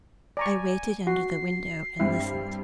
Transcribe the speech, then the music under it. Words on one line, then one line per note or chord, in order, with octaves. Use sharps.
I waited under the window and listened.
D5 G#5 A#5 C#6
F#4 C7
G2 G3 C4 E4